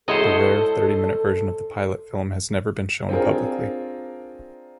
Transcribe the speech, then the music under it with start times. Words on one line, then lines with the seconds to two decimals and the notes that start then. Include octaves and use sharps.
The rare thirty-minute version of the pilot film has never been shown publicly.
0.08 G#3 E4 F#4 A4 C5 C#5 D#5
3.09 C4 D4 F4 G#4 A#4